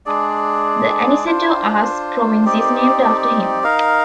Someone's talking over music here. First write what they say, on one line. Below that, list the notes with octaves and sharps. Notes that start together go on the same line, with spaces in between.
The Aniceto Arce Province is named after him.
G#3 D4 G#4 D5
D4 F4 C5
C4 D#4 G4 D5
D#4 A#4 F5